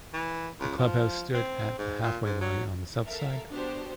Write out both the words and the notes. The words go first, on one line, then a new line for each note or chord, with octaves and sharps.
The club house stood at the halfway line on the south side.
E3
C#2
F3
C4
G#2
A#2
G#2
F#3
A4 A#4 E5 F5
B3 D4 F#4 G4 C5